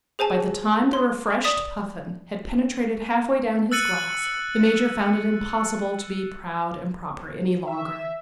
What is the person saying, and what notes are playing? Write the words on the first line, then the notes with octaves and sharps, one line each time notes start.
By the time the refreshed Puffin had penetrated half-way down his glass, the Major found it impossible to be proud and proper any longer.
G#4 C5 G#5 A5
C6
D5 D#6 B6
E6 F#6 A6 C#7 D#7 F#7
E5